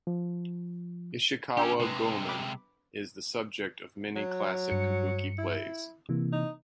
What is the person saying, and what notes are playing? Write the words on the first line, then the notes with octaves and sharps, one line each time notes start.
Ishikawa Goemon is the subject of many classic kabuki plays.
F3
C#4 D4 G4 G5 E6
C3 G#3 B4
B5 D6
F#3
G2 C#7
E4
C3 E3 A#3
D#4